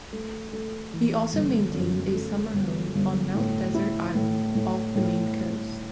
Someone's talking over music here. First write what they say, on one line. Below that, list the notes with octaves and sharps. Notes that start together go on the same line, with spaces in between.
He also maintained a summer home on Mount Desert Island off the Maine coast.
A3
A3
E3
G1
F#2
A3
G1
G1
A2
E4
A2
A2
A2